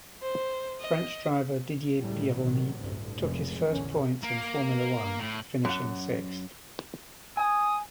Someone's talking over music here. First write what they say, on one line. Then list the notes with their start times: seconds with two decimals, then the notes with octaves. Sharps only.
French driver Didier Pironi took his first points in Formula One, finishing sixth.
0.23 C5
0.80 D#5
2.00 C#2 A2 C#3 G3
2.35 A1 A#2 D#3 F#3
2.76 A1 D2 G2 C3
3.17 F1 G#3
3.66 A#1 E2 D3 C#4
4.23 A#3
5.19 A2
5.65 F#2 F#5
7.37 G#5 D#6